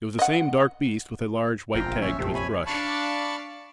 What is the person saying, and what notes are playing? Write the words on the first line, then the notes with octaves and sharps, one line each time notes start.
It was the same dark beast with a large white tag to his brush.
D#5 F#5
G1 F2 C4 F4 G5 A#5
A#1
A#1 C#4 E5
A#1 F2 C3 A3
C#5 G#5 B5
D4 D5 F5 A5 B5 C#6